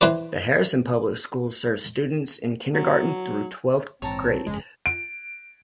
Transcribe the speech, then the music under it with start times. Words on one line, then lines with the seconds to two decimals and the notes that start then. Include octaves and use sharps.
The Harrison Public Schools serves students in kindergarten through twelfth grade.
0.01 E3 C4 B4 D5
2.74 F#3
4.02 A#1 G#2 E3 C4 C#5 A5 A#5
4.22 C2
4.46 G1 F2 C#3 G#3
4.86 D7